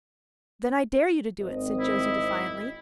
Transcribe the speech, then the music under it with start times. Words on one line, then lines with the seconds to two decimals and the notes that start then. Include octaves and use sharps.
"Then I dare you to do it," said Josie defiantly.
1.40 G#1 C4 D#5
1.80 E4